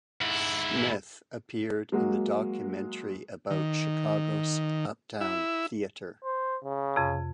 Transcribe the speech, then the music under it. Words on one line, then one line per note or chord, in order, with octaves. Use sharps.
Smith appeared in the documentary about Chicago's Uptown Theatre.
G#2 E4
F#3 G#3 A#3 F#4
D#3
E4
C5
C#3
F2 C3